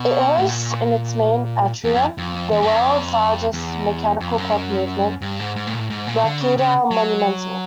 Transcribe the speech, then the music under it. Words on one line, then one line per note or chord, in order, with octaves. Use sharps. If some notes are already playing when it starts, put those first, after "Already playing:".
It hosts in its main atrium the world's largest mechanical clock movement: Raketa Monumental.
Already playing: B2
A2
A#2
E2
F2
F2
E2
F#2
F2
E2
F2
F#2
G2
G#2
G#2
A2
A#2
A2
G#2
A#2
D3
C#3
C#3
F#3